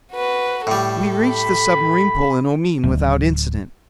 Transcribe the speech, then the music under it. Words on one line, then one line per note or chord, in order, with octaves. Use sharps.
We reached the submarine pool in Omean without incident.
F#4 B4
A2 G3 A4
B5
D1